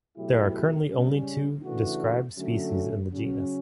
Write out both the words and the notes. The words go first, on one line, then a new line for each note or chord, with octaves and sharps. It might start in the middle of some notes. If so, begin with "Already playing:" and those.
There are currently only two described species in the genus.
B2 F#3 A3 E4 G4
C#3 G3 C#4
C#3 E3 A3 D4 F#4
D3 F#3 A3 C#4
C#3 F#3 C#4